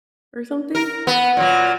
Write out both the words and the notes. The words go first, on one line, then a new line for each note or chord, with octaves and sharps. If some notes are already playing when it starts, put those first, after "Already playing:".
or something?
A#4
B3
A#2 F#3